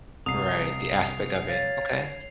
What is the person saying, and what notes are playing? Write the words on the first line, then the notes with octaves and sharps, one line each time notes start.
Right, the aspect of it. Okay.
C2 D#6 C7 F7
C#5 F5 A6